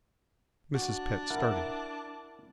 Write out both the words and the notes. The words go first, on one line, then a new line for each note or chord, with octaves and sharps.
Mrs. Pett started.
D4 F#4
E4 A#4 F#5